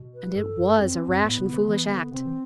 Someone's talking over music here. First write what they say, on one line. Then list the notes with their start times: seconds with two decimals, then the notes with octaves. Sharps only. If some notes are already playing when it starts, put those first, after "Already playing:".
And it WAS a rash and foolish act.
Already playing: B2
0.14 B4
0.35 G2 A4
0.57 F#2
0.69 G2
0.79 F#2 C4
0.94 E2
1.09 F#2
1.23 A2 B3
1.38 C3
1.52 D3
1.68 E3
1.90 D3
2.11 C3 C4
2.25 E3